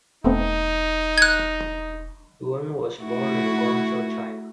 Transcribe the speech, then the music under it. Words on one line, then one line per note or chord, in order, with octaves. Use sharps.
Yuen was born in Guangzhou, China.
E1 A3 B3 C4 D#4
F#6 G#6
A3 E4 F#4